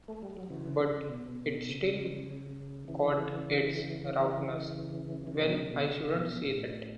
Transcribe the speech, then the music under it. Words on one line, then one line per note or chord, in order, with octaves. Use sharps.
But it's still got its rawness...Well, I shouldn't say that.
A3
G3
F#3
C#3 E3
C#3
B2
C#3
C#3 E3
C#3 E3
B2 D3
C#3
B2 D3
C#3
B2
A2